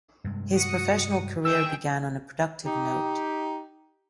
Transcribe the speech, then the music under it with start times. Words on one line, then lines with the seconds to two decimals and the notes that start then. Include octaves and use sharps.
His professional career began on a productive note.
0.24 G2 C3 G#3
0.54 F#4 D#6 C#7
1.45 D#3 G#4 G5 E6
2.65 D#4 G4